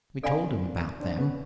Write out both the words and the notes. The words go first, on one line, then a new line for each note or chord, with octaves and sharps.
We told him about them.
C4 D4 A4 D5 F5 G#5 B5
C4 D4
B3 C#4